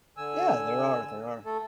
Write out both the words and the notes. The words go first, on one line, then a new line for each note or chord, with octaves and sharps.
Yeah, there are, there are.
D3 G#5 E6
A3 A4